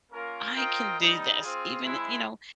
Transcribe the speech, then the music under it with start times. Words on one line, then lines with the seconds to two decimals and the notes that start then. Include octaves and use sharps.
I can do this, even" you know,
0.11 A#3 C#4 F4 A#4
0.55 C4 F4 A#4 D#5 G5
0.98 G3 B3 D#4
1.41 C4 F4 G#4
1.84 G#3 C4 E4